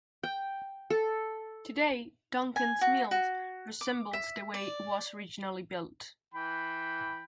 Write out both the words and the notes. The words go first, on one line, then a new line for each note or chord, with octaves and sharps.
Today, Duncans Mills resembles the way it was originally built.
G5
A4
G#5
F#4
F#4
D6
E5
D5
E3 G5 B5